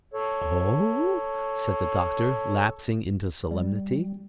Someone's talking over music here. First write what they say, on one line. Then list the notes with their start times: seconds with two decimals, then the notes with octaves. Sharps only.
"Oh!" said the Doctor, lapsing into solemnity.
0.14 A4 C#5
3.51 G3